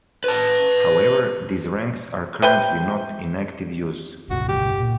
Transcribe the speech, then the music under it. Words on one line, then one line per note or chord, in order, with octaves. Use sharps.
However, these ranks are currently not in active use.
B4 A5
C3 B4 G5
G1 C#2 B2 F#4
G4
A#2